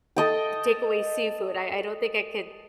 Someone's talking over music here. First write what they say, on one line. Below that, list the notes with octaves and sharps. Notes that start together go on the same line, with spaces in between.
take away seafood, I I don't think I could
A4 D#5 G5